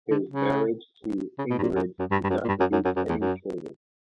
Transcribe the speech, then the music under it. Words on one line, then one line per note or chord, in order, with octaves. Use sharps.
His marriage to Ingerid did not produce any children.
D3
C#3
C#3
B2
G2
A#2
F#2
F#2
G2
G2
F#2
A#2
G2
F#2
F#2
F#2
F#2
E2
F#2